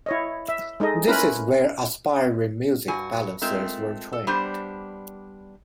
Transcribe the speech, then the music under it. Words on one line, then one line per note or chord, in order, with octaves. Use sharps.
This is where aspiring music balancers were trained.
E4 C#5 D#5
E5
G#3 D#4 A4 D#5
C#4 E4 F4 A#4 B4
G2 F#4 G#5
G#3 A3 C4 F4 A#4
A4
G3 B3 D4 G4 C5